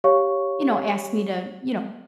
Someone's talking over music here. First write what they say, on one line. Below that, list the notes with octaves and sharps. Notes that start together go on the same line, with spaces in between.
you know, ask me to, you know,
G4 C#5 F5 C#6